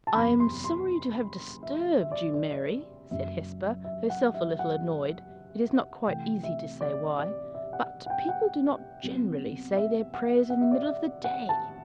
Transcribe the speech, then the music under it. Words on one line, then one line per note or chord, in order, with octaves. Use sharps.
"I am sorry to have disturbed you, Mary," said Hesper, herself a little annoyed, it is not quite easy to say why; "but people do not generally say their prayers in the middle of the day."
A5
F#1 E2 C3 B5
C6
C6
E5
E5
D5
D5
F#1 F#2 F#3 E5
E5
F#5
E5
F#5
C2 C3 E3 A3 G5
E5
D5
D5
E5
F#5
F#5
G5
F#5
C2 C3 F#3 B3
E5
F#5
F#5
E5
D5
E5
F#5
A5